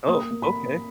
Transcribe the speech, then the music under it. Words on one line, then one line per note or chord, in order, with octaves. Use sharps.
Oh, okay.
A#3 D#6
A#3
B5